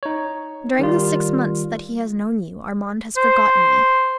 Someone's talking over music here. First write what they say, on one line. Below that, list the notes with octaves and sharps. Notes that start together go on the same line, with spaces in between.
During the six months that he has known you Armand has forgotten me.
D#4 C#5
D#3 G3 F4
C5